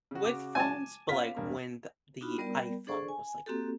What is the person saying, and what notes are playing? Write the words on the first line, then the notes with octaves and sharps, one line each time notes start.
with phones, but like when the the iPhone was like
C#3 F#4
D6
G#5 A5
B3 C#4 F4 F5 B6
E1 G2 A#3
D4 D#4 F4 F#4 B5
G3 B3 A#4 D5
D4 G#4 A4 C5 D5 C#6
G#5
A#3 C4 F#4 G4 A4